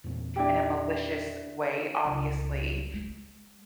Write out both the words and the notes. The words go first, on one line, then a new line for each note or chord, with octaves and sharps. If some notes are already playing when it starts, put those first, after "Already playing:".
in a malicious way, obviously."
E2 A#2 C4
D4 E4 G4
C#2
G#3